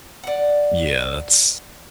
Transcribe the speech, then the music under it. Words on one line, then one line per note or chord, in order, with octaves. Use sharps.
Yeah, that's
D5 F#5